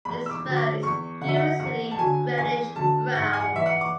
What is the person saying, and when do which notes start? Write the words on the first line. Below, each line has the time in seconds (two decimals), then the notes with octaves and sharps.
Its fur is usually reddish brown.
0.05 E2 B5
0.26 E6
0.31 D6
0.44 D3 F#3
0.57 D6
0.83 E2 C#6
1.21 D3 F#5
1.24 F#3 E5
1.36 F#5
1.59 E2 F#5
1.91 A5
1.98 D3 F#3 G#5
2.37 E2 G#5
2.76 D3 F#3 A5
3.15 G#2 F#5
3.33 G#5
3.40 F#5
3.53 E3 E5
3.66 F#5
3.81 D6